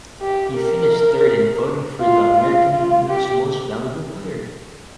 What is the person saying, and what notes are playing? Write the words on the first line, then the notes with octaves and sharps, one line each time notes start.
He finished third in voting for the American League's Most Valuable Player.
G4
A#4
F4
F4
F4
G4